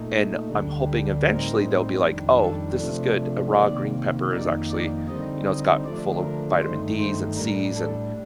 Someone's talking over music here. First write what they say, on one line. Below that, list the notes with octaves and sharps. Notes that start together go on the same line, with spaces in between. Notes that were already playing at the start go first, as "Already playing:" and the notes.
and I'm hoping eventually they'll be, like, "Oh, this is good." A raw green pepper is actually, you know, it's got full of vitamin D's and C's and,
Already playing: A#2 A3 D#4
D2 D3 G3 D4
G4
A2 G3 C4 D#4 A#4
F2 D#3 G3 D4
A4
C3 F3 A3 D4
C3 D#3 A#3 D5
F2 D#3 A#3 D#4 D5
D5
D3 G3 C4 D#4 D#5
D#5
D3 F3 A3 D4 D5
A#4
G2 D#3 A3 D#4 C5
C5
A2 G3 D4 A#4
A4